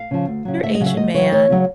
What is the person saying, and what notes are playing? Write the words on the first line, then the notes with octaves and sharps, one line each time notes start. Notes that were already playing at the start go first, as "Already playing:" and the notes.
Asian man
Already playing: F5
C#3 F3
D2
C#3 F#3
D2 E5
D#5
C#3 F#3
E5
D2 D#5
C#3 F#3 C#5
D2 C#5
C#3 F#3